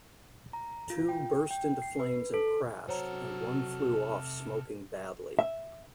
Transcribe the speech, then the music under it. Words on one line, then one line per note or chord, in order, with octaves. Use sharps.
Two burst into flames and crashed, and one flew off smoking badly.
A#5
F4
G5
G5
C7
B4
A4
C3 F#3 A4 C5 C#5 F#5 A#5 F6
E5